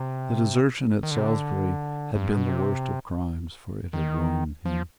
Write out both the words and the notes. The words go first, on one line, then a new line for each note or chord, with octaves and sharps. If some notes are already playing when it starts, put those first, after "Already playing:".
The desertion at Salisbury had been the worst of crimes; for it had ruined him.
Already playing: C3
D#3
D3
C3
D3
G2
G#2
B2
C3
D#3
F3